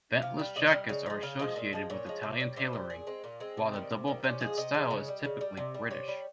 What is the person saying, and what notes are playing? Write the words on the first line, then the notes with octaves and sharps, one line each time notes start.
Ventless jackets are associated with Italian tailoring, while the double-vented style is typically British.
C3 F5
G3
C3 D#5
G3
C#3
F3 G#3
C#3 F5
F3 G#3 D#5
A#2
F3 G#3
A#2 C#5
F3 G#3
C3
G3
C3 C5
G3
A#2 G#4
G#3 C4
A#2 A#3
G#3 C4
C3
D#3 G3
C3
D#3 G3
C3 C#4
F3 G#3 G#4
C3 D#5
F3 G#3
C#3
G3
C#3
G3
C3
G3
C3 C#5
G3